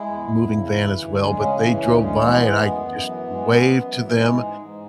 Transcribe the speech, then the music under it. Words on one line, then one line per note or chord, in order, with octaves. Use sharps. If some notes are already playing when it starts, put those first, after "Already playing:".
moving van as well, but they drove by and I just waved to them
Already playing: G#3 E4
E2
E2
C#3
E3
D2
G#3
C#3 C#4
E3
D2
G#3
E3 B3
G#3
F#2
F#2
E3
G#3
F#2
F#2
E3
G#3
G#2
G#2